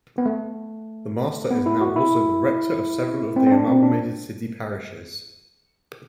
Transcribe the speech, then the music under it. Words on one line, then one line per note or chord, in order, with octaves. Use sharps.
The Master is now also the rector of several of the amalgamated city parishes.
B3
A3
B3
E4
F#4
E4
C4
C4
D4
C4
D4